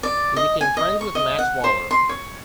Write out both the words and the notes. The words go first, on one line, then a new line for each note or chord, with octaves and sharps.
He became friends with Max Waller.
D5
D#5
G#5
D#5
C#6
D#5
F#5
C5
C6
C#5